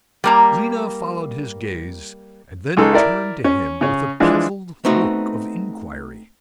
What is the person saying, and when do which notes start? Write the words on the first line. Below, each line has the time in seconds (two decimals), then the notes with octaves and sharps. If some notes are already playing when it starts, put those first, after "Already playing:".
Lena followed his gaze, and then turned to him with a puzzled look of inquiry.
0.24 G3 A#3 A#5
2.77 C#2 G#3 D#4 A4
2.93 E4 A#4 D5 E5
3.44 C#4
3.81 C#3 C#4
4.20 E3 F3 G#3 D4
4.85 A3 B3 C4 D#4 F#4